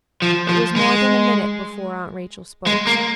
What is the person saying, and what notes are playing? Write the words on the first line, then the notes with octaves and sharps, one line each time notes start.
It was more than a minute before Aunt Rachel spoke.
F3
F3
G#3
G#3
A#3